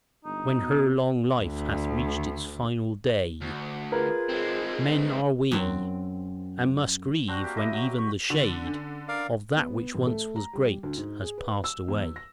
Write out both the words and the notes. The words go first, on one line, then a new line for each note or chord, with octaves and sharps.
When her long life hath reach'd its final day: Men are we, and must grieve when even the shade Of that which once was great has pass'd away.
G1 D#4
B2
D2
D2
F4 G#4 A#4 B4 G#6
G#3 C4
F#2 C4
C4 D4 F#4 A#4
A#3 G4
E4 D#5 A#5
F#3 B5
G4
C#6
D3 C#4 C#6
C#4 D4
A#4 D5 F5
B3
A1
A3
A#5
G3
D2
G#2
G#4
B4
E6
E2
A#6